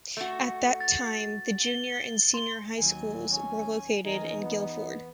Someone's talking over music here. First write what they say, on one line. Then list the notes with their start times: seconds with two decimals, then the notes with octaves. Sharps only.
At that time the Junior and Senior High Schools were located in Gildford.
0.17 A3 F#4
0.81 A6
1.62 G7
2.34 C6 G7
2.78 D#2 F#3 G#5
3.31 C#4
4.05 E2 D#3 D#4 G#5 A#5
4.39 B3